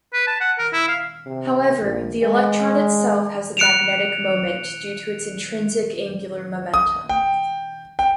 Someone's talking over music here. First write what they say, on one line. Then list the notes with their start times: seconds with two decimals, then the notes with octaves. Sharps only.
However, the electron itself has a magnetic moment due to its intrinsic angular momentum.
0.14 B4
0.27 A5
0.40 F#5
0.58 A#4
0.73 E4
0.88 F5
1.26 C3
1.82 A#1
2.23 G#3
3.57 F#6 C#7 D7 E7 F7
6.74 D#6
7.09 G5
7.99 G5